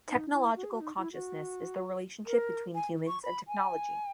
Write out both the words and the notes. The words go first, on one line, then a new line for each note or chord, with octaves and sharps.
Technological consciousness is the relationship between humans and technology.
D#4
E4
F#4
G#4
F#4
D#4
E4
F#4
A#4
G#5
C#6
B5
G#5